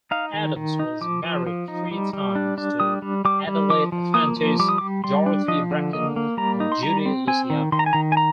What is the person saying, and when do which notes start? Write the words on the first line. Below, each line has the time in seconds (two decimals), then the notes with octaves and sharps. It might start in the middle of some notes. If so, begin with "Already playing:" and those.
Adams was married three times, to Adelaide Efantis, Dorothy Bracken, and Judy Luciano.
0.11 D#4 F5
0.34 D#3
0.56 D#3
0.79 D#4
1.01 F3 D6
1.23 F3
1.47 F3
1.68 D#4
1.91 G3
2.13 G3
2.35 D4
2.58 D4
2.80 G3 D#6
3.02 G3
3.25 G3 D6
3.47 G3
3.70 F3 D6
3.92 F3
4.14 A#3 D#6
4.37 F3
4.60 G3 D6
4.69 D#6
4.78 G3 D6
5.04 G3 C6
5.26 D4
5.48 F3 D#5
5.71 D3
5.93 A#3 D#5
6.16 A#3
6.37 G3 A#5
6.60 D#4
6.72 C6
6.83 G3 A#5
7.06 C4
7.28 C4 G#5
7.50 D#3
7.72 D#3 C6
7.79 A#5
7.86 G#5
7.93 D#3 A#5
8.12 G#5
8.17 A#5